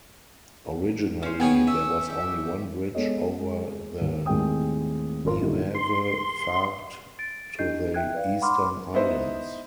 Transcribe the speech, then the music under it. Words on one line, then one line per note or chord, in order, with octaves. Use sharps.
Originally there was only one bridge over the Nieuwe Vaart to the Eastern Islands.
C#4 C5
B3 G#4 C#5 G5 G#5
C#4 E5
G4 E5
G#3 B3 A4 C#5 D#5
G#3
D#2
D#2 A2 G#3 C4 G5 D#6
G#1 F4 A#4 C6
A#2 D3 G3 A#3 D#4 E4
C6
A6 D7
D4 E4 G4 D#5 G6 C7
E5 G5 F#6 G#6
B4 D5 F5
F#5 B5 C6 D6 F6
B3 D#4 E4 C5